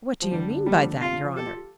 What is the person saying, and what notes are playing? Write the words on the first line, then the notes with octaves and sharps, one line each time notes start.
"What do you mean by that, your honour?"
F3
D3 G3
D3
G3 A3
F3
D3
C3 F4
D3
F3
G4 A4
F4
G4